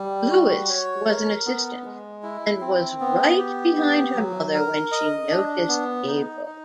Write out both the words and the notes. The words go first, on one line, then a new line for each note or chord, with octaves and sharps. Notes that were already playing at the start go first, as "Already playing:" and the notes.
Lewis was an assistant and was right behind her mother when she noticed Gable.
Already playing: G3
F#4
C#5
A#4
B3
G#3
E4
C4
B3
G4
B3
F#3
A#4
D#5
D4
B3
D#4
D#4